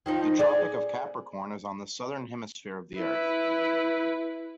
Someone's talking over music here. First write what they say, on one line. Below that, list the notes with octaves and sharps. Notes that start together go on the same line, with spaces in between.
The Tropic of Capricorn is on the Southern Hemisphere of the earth.
D#3 F3 D#4
G#4 D5
E4 B4